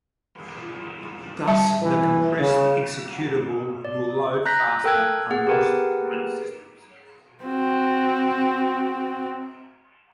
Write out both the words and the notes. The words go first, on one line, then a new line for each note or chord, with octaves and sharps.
Thus the compressed executable will load faster on most common systems.
G3 E5 A5
E3
C#3
D5
A#5 F#6 G6 A#6 B6
A4 A#4 G5 E6 F#6 G#6
B3 G#4 F#5
G4 G#4 A#4 B4 F#5
C4 F#4